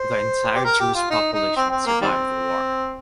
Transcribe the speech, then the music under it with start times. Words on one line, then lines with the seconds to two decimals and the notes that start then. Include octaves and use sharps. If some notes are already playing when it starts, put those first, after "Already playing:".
The entire Jewish population survived the war.
Already playing: C5
0.55 G4
0.65 A#4
0.80 G4
0.95 F4
1.10 D#4
1.33 D#4
1.56 C4
1.70 C4
1.86 A#3
2.01 D#3 G3 C4